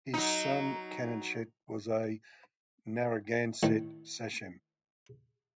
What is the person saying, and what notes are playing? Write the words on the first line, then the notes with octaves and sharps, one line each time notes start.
His son Canonchet was a Narragansett sachem.
F#3 D#4
A2 D#3